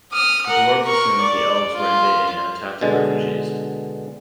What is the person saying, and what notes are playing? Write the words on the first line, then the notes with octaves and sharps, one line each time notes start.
The dwarves assumed the elves were invading and attacked the refugees.
D#6 F6
A#4 F#5
A#4 C#6
D5
F4
B2 D3 G#3